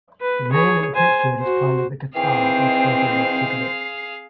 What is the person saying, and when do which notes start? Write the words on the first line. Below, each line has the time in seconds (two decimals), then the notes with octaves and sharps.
The man in the pink shirt is playing the guitar and smoking a cigarette.
0.21 B4
0.51 G#4 C#5
0.95 C5 G#5
1.40 F#4 C5
2.15 D#3 E3 C4 G#4 C5 F5 G5